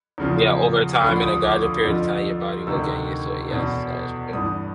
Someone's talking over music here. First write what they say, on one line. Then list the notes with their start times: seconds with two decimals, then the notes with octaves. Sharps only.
Yeah, over time, in a gradual period of time, your body will get used to it, yes, that is true.
0.18 E2 C#3 F3
1.01 D2 D3 F3 B5
1.22 D#6
1.42 D6
1.63 D#6
1.84 F2 D3 F3
2.67 D2 C3 D#3 E6
3.50 E2 B2
4.33 G2 E3 D#6